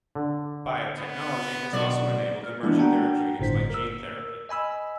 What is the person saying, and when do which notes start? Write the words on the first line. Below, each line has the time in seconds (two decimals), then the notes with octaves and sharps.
Biotechnology has also enabled emerging therapeutics like gene therapy.
0.15 D3
0.99 B3
1.73 B1 F#4 D5
2.44 F6
2.63 E3 G#3 A#3 B3 D4 E4
2.77 D4 F#4 F#5 G5 A#5
3.40 G1 A2 C5 B6
3.70 A#4 E6
4.49 D#5 G#5 B5 E6